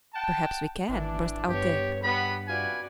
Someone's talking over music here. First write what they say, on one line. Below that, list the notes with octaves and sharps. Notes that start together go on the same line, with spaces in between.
"Perhaps we can!" burst out Dick.
F#5 G5 A5
G#1 E3 D4
G2 B3 G4 C#5
G3 B3 G4 F#5 B5
C3 F4 F#4 B4 D5 G#5